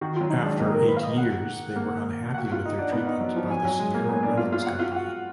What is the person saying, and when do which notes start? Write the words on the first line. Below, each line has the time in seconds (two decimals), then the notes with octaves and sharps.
After eight years, they were unhappy with their treatment by the Sierra Reynolds Company.
0.01 D#3 F#4
0.16 F#3 F4
0.30 D#4
0.40 G#3 D4
0.59 A#3 D#4
0.74 A#4
0.88 B4
0.97 F5
1.03 D#5
1.18 F#5
1.76 A#3
2.34 F#4 F#5
2.52 F4
2.65 D#4
2.78 D4
2.92 B3
3.07 D#4
3.21 F#3
3.36 F3
3.50 F#3 G#5
3.65 F#3
3.79 G#3
3.94 A#3
4.09 B3
4.23 D4
4.37 F4
4.52 F4
4.62 F5
4.66 F#4 F#5
4.79 F4
4.92 F#4 F#5